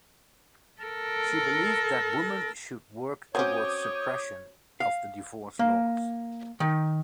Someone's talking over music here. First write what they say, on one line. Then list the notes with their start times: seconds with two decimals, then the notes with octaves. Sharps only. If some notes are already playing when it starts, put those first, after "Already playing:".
She believed that woman should work towards suppression of the divorce laws.
0.82 A4 A#4
3.35 F#3 C4 C#4 C#5 D6 D#6 G6
4.80 F5
5.59 A#3
6.60 D#3